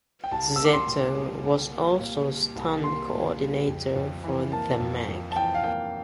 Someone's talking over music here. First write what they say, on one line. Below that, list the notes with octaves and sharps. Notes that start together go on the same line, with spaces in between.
Szeto was also stunt coordinator for The Meg.
G5
C2 A5
A#3 E6
D6
C6
A#2
G3
C2
A#3
A#2
G3
C2
A#3 C6
A#2
G3
F2
F2
E3
A#3 A5
F2
F2
A5
E3 G5
F5
A#3 G5